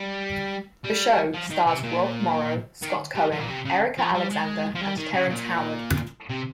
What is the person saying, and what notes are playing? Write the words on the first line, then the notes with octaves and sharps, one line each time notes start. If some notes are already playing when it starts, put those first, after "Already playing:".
The show stars Rob Morrow, Scott Cohen, Erica Alexander and Terrence Howard.
Already playing: G3
G3
F3
D#3
C3
A#2
D#3
G3
F3
A#2
C3
C#3
F3
G3
G#3
F3
G3
D#3
C#3
A#2
C3